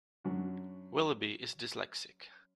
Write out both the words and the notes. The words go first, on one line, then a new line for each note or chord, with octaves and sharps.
Willoughby is dyslexic.
F#2 F#3 D4 F#4